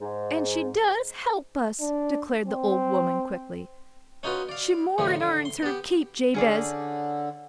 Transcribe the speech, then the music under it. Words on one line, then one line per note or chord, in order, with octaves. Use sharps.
And she does help us," declared the old woman, quickly. "She more'n airns her keep, Jabez.
G#2
D4
C4
C#4 D#4 F4 F#4 B4
D5 F5
A2 D3 E3 F3
D3
C6
B3 G4
D3 C#4 G#4 D5